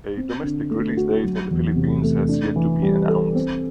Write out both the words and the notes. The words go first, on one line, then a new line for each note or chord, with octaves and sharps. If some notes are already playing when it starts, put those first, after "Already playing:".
A domestic release date in the Philippines has yet to be announced.
C4
D3
A3
F#4
F#3
E2
C3
A3
D4
E3
G3
A4
C4